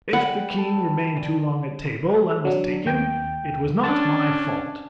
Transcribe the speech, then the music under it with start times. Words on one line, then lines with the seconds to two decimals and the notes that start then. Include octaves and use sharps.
If the King remained too long at table, and was taken, it was not my fault.
0.13 F#5 G5 B5
0.58 A4
1.17 A5
2.45 F#3 D4
2.86 D#2 G5
3.84 C#4 D4 A5